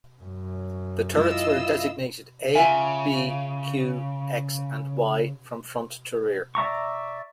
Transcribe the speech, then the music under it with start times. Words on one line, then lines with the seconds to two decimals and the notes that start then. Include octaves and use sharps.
The turrets were designated 'A', 'B', 'Q', 'X' and 'Y', from front to rear.
0.22 F#2
1.14 E4 F4 D#5 F5 E6
2.55 C#3 F4 E5 G#5
6.55 D5 E5 A#5 C#6